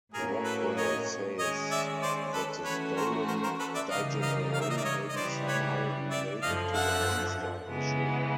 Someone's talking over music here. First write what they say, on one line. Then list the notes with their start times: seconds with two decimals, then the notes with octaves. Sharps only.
Rockwell says that the stolen Digenerol may be somehow related to the monster issue.
0.13 A2 F#3 A#3 C#4 G#4 A#4
0.45 A4 B4
0.77 C#5 D#5
1.39 D#3 G#3 C#4 C#5 D#5
1.71 D5 E5
2.02 C5 D5
2.34 A4 B4
2.65 E3 A3 C#4 F#4 B4 C#5
2.96 A#4 C5
3.28 A#4 C5
3.43 A#4 C5
3.60 A4 B4
3.75 D5 E5
3.91 C#3 E3 G3 A#3 D#4 D#5 F5
4.22 D#5 F5
4.54 F5
4.62 E5
4.70 D#5
4.77 D5 E5
4.85 C#5 D#5
5.10 D#5
5.16 C#3 E3 G3 C5 D5
5.48 B4 C#5
6.11 D5 E5
6.42 F#2 D3 F3 D#5 F5
6.74 E5 F#5
7.68 C#3 E3 G#3 B3